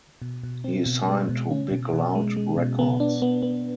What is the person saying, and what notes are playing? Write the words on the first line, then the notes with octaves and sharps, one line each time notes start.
He is signed to Big Loud Records.
B2
B2
C4
B2
G#3
B2
C#4
B2
B2
G#3
G#3
B2
B3
D4
B3
B3